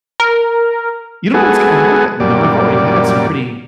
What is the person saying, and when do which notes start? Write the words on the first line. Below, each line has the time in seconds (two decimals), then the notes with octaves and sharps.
you don't know what's gonna happen, you know?" I've already had some pretty
0.20 A#4
1.34 G#3 B3 F#4 G#4 A4
2.20 F#2 A#2 G3 D5